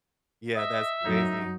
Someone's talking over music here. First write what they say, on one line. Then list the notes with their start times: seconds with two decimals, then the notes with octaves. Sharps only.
Yeah. That's crazy.
0.55 D#5 E5
1.05 F#2 F#3 D#4